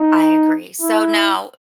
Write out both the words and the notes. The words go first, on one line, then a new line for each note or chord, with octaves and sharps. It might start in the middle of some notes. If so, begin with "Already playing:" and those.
I agree. So now,
Already playing: D#4
E4